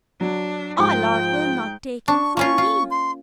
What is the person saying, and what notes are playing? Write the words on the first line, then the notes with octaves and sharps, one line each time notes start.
"Our Lord will not take him from me!"
F#3 D4
G#2 F3 G5
D4 C#6
A#3 C#4 F4 C#6
F4
C6